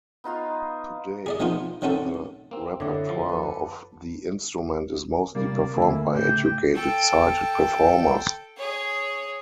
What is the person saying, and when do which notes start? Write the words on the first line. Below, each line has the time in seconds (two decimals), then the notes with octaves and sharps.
Today, the repertoire of the instrument is mostly performed by educated, sighted performers.
0.24 B3 D#4 F4 F5
1.26 G#4 D5 D#5
1.40 D#3 F3 A#3 B3 D#4 F4
1.82 D#3 C4 C#4 D#4 F#4 A4
2.51 A#3 C4
2.80 F#2 A2 D3 D#5 F#5 D6
3.09 F3
3.29 A4 B4
5.35 C3 G3 A#3 D5
5.76 D#2 D3 A3 E4 G#5
6.14 A2 C#3 G4 G5
6.74 A4 G5
8.56 G#4 C#5